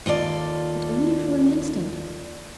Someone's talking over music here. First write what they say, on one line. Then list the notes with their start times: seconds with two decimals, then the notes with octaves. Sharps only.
But only for an instant.
0.06 D#2 F4 A4 D5